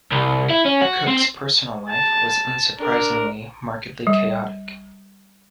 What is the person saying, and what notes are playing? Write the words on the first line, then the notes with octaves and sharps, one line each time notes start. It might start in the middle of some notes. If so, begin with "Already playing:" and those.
Cooke's personal life was, unsurprisingly, markedly chaotic.
C2
E4
C#4
F#4
C4
A5
D4 A#4
G3